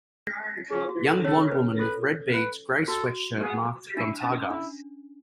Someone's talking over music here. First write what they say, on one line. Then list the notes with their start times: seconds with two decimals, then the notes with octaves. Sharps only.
Young blond woman with red beads, gray sweatshirt marked GONTAGA.
0.70 C#4 G#4
0.89 F#4
1.06 A4
1.25 C#4 A4 C#5
1.52 B4
1.79 A4 B4
2.33 B4
2.88 F#4 A4
3.43 G#4
3.97 D4 E4
4.23 C#4
4.50 D4 E4